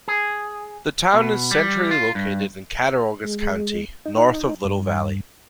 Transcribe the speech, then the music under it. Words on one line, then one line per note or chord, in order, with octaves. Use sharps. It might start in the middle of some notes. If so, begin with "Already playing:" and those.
The town is centrally located in Cattaraugus County, north of Little Valley.
G#4
B2
G3
F4
G2
G#3
D#4
G2